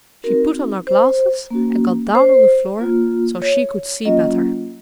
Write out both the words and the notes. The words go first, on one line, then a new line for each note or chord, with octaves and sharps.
She put on her glasses and got down on the floor so she could see better.
C4 D#4 F#4 A#4
C5
A#3 C#4 F#4
C5
A#3 F4
C#5
F#3 A#3 C#4 F4 D#5